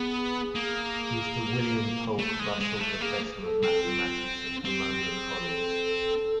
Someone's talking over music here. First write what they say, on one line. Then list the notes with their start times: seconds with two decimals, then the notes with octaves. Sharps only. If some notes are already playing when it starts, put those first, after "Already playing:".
He is the William Polk Russell Professor of Mathematics at Pomona College.
Already playing: B3 G#4
0.55 A#3
2.19 A3
2.39 G#3
2.60 G#3
2.80 A3
3.01 A#3 G#4
3.42 A4
3.63 C4
3.83 F4
4.65 C4 G4
5.06 G#4
5.47 A4